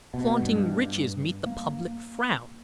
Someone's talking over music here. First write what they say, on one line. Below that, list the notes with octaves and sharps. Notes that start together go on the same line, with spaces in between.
Flaunting riches meet the public frown.
B2
G2
A#3